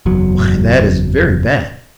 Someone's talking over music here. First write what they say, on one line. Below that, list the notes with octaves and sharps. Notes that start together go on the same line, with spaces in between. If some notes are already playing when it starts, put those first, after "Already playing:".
Why, that is very bad!
F#1 E2 F#3